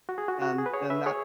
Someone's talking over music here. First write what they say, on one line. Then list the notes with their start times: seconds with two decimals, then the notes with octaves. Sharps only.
and then that's
0.09 F#4
0.18 G#4
0.28 F#4
0.42 F#4
0.58 G#4
0.66 B4
0.74 G#4 C#5
0.90 B4 E5
1.06 G#4 C#5